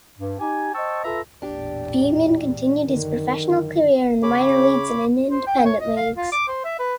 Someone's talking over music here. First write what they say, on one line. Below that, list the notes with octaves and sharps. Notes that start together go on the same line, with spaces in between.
Beamon continued his professional career in the minor leagues and in independent leagues.
G2
D#4 G4 G#5
C5 D#5 G5 A5 C#6 E6
F4 A4 B4 E5 A#5
A1 E2 A#2 D4 G4
F#2 D3 D#3
C#3 C#5 B5 D6
C5
G5
C#5
D#5
F5
F4
D6
C5
E5
B4